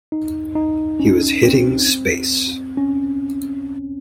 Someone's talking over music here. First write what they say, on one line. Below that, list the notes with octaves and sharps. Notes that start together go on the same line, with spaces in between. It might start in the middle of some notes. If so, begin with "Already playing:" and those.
He was hitting space.
D#4
D#4
C#4
C4
C#4